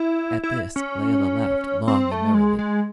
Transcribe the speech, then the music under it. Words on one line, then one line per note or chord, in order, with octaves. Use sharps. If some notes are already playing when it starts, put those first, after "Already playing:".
At this Layelah laughed long and merrily.
Already playing: E4
E4
C#4
C4
A3
G#3
G#3